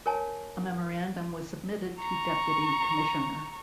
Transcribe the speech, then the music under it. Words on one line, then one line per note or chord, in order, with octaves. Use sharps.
A memorandum was submitted to Deputy Commissioner.
A#4 C#5 G#5 A5
A#5 C#6